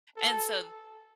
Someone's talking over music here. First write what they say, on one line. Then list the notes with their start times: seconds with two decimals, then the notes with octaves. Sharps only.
and so
0.17 A4